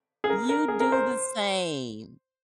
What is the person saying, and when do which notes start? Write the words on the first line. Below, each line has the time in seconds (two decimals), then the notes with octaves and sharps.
You do the same.
0.24 G#4
0.30 A#4
0.49 A#4
0.68 G#4
0.80 A#4
0.92 C5